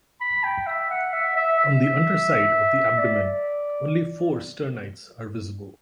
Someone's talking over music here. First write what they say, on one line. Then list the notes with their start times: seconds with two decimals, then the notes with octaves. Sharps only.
On the underside of the abdomen only four sternites are visible.
0.21 B5
0.44 G5
0.67 E5
0.90 F#5
1.13 E5
1.36 E5
1.60 E5
2.98 D5